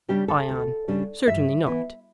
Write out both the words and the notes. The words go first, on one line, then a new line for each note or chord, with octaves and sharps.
ION: Certainly not.
C#3 G3 D4 G4
A4
D2
C#3 G3 D4
G2 E5
E3 B3 E4